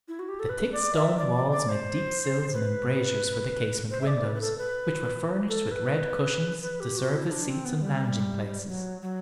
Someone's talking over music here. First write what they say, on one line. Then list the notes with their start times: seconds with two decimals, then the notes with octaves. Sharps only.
The thick stone walls made deep sills and embrasures for the casement windows, which were furnished with red cushions to serve as seats and lounging-places.
0.08 E4
0.19 F#4
0.29 G4
0.39 A4
0.49 B4
0.73 D5
0.95 E5
1.18 D5
1.35 D5
1.51 D5
1.69 C5
2.54 B4
3.91 C5
4.01 E5
4.07 D5
4.24 B4
4.35 B4
4.41 A4
4.58 B4
5.49 A4
5.71 B4
6.62 B4
6.80 G4
6.97 F#4
7.14 E4
7.31 D4
7.49 C4
7.65 B3
7.82 G3
8.68 F#3
9.02 F#3